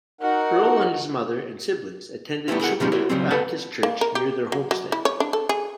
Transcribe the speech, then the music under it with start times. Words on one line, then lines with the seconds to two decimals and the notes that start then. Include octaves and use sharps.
Earl and his mother and siblings attended Schuyler Baptist Church near their homestead.
0.21 D#4 F#4 A#4 F#5
2.48 G3 A3 B3 E4 F4
2.60 E4 G#4 A#4 F#5
2.80 B2 F3 G3 G#3 C#4 D#4
2.92 E4 F#4 A#4 C#5
3.09 C#3 F#3 G3 C4
3.31 D2 G4 A4 B4 F#5 A5
3.83 A#3
4.01 A#4
4.15 G4
4.52 F#3
4.71 F#3
4.92 E4
5.05 C#5
5.20 D4
5.33 A4
5.49 G#4